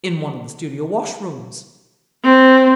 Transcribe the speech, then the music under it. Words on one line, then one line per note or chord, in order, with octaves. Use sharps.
"In one of the studio washrooms."
C4